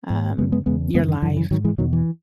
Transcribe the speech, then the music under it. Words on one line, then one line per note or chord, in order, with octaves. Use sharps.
um, your life.
G#2
F#2 C#3 G#3 B3
G#3 B3
E2 C#3 G#3 B3
F#2 C#3 G#3 B3
D#3
F#2 C#3 E3
E3
G#2 D#3 F#3
E3 G#3
E2 B2 D#3 F#3
E3